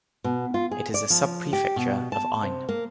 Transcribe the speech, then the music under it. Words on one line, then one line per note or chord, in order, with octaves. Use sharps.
It is a subprefecture of Ain.
B2
F4
G#4
D5
F3
G4
B2
A5
C3
A#3